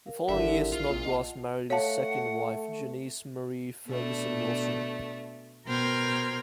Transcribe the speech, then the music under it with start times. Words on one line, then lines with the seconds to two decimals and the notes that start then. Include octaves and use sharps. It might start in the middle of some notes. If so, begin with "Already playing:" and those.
The following year Snodgrass married his second wife, Janice Marie Ferguson Wilson.
0.06 A#4 F5
0.29 G#1 D3 E4 G4 A#4 E5
0.72 A#1 F4
0.90 A#2
1.04 D#5 F#5 A5
1.70 A3 C#5 F5 F#5 A5
3.88 B2 A3 D4
5.67 B2 A#4 C5 G5 F6 G#6